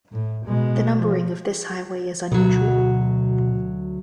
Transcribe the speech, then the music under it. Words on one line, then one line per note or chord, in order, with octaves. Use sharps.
The numbering of this highway is unusual.
A2
B2 G#3
F3
D2 B2 F#3